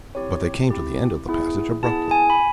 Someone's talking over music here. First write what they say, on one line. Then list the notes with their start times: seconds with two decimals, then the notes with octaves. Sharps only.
But they came to the end of the passage abruptly.
0.15 C4 E4 G4 C#5
0.71 C4 E4 G4
1.26 B3 E4 G#4
1.83 B3 E4 G#4 A5
2.11 G#5
2.30 B5